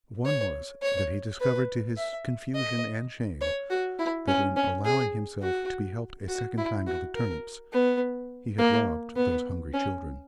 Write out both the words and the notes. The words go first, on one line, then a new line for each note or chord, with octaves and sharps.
One was, that he discovered, to his confusion and shame, that in allowing himself to be helped a second time to the turnips, he had robbed those hungry children.
C#5
C#5
B4
E5
D#5
C#5
F#4
E4
C#4
C#4
G#4
F#4
F#4
E4
F#4
A#4
B3
A#3
B3
C#4